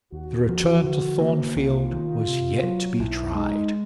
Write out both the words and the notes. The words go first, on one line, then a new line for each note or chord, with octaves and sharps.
The return to Thornfield was yet to be tried.
D#2 F#4
F3
D3
A#3
C2 F4
D#3
C3
F#3
B1 E4
G#3 D#4